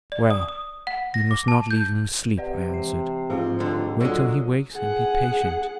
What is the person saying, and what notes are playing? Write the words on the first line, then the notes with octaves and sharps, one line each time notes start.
'Well, we must not leave him asleep,' I answered; 'wait till he wakes, and be patient.
D5
D#6
D#6
F#5
A#6
D6
A5
G6
C3 B4 D5 F#5
E3 C7
G#2 F3 C4 G#4 F5
D#2 A2 D3
D3 F#3 G#3 F4 F#4 A4 D5
G#4 F#5